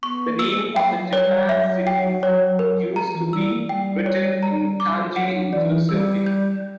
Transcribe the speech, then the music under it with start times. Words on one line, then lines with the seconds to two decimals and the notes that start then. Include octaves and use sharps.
The names of Japan's cities used to be written in Kanji exclusively.
0.03 B3 C#6
0.27 A#3
0.39 E6
0.51 A#3
0.76 F#3 G5
1.00 F#3
1.13 F#3 C#5
1.25 G3
1.49 F#3 E5
1.87 G5
2.23 C#5
2.59 A#4
2.96 A#5
3.14 E3
3.33 G3 E6
3.51 A#3
3.69 G3 G5
4.06 C#5
4.43 A#5
4.80 D6
5.15 F#3 F#5
5.53 E3 D5
5.89 G3 E6
6.26 G6